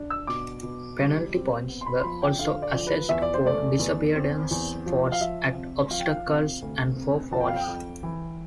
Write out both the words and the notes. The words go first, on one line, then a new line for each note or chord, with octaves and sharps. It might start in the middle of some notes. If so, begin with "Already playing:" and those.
Penalty points were also assessed for disobedience faults at obstacles and for falls.
Already playing: D4
E6
B2 D6
B2
G3
C4
B3
C6
B5
C6
F3 B5
G5
D3 F5
D5
F3
B4
E2 E5
D5
C5
A3 D5
E2
C4
E2
F3
F5
F3 E5
C3
F3 F5
G5
F5
C3
D2
C3
F2 A5
G5
F5
G5
F2
E3